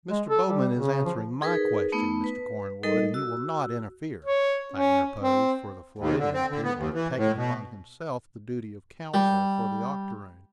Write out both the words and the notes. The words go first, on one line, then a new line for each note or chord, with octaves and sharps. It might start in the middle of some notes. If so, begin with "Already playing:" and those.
"Mr. Bowman is answering my question, Mr. Cornwood, and you will not interfere," I interposed, for the Floridian appeared to have taken upon himself the duty of counsel for the octoroon.
G#3
A4
G3
C#3
F3
D#4 G#4 A#4 B4
A3 B3 D#4
B4
G3 D#4 A4 A#4 D#5
F#4 E6
C#5
C#4
C4
D#2
D3
C4
D3
B3
D#2
E3
A2
B2
G3